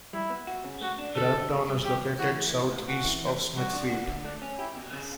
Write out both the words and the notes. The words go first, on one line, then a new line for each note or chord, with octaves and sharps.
Grabtown is located southeast of Smithfield.
G3 E4
B3
F#4
C#3
A3 F#4
D4
D3 A4
D3
B2
G3
B1 G4
B1
E3 F#4
A3
A2
A2
C#3 F#4
E3
E2
E2
G3 F#4
D4
F#4
D3
A3 D4
C#4
E4 G4
B2
C#3